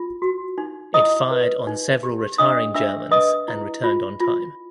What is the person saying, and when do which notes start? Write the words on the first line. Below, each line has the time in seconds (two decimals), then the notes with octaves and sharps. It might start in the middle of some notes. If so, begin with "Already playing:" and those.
It fired on several retiring Germans and returned on time.
Already playing: F4
0.22 F#4
0.58 D#4
0.94 E4 D#5 D#6
1.31 B4
1.67 D#4
2.03 G4
2.38 D4 D#5 D#6
2.74 D4 E5 E6
3.11 B4 D#5 D#6
3.48 E4
3.84 F4
4.20 F4